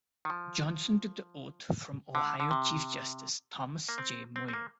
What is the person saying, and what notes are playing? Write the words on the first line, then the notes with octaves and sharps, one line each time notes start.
Johnson took the oath from Ohio Chief Justice Thomas J. Moyer.
D#3
F3
D3
D3
C3
A#3
C4
C4
C4
A#3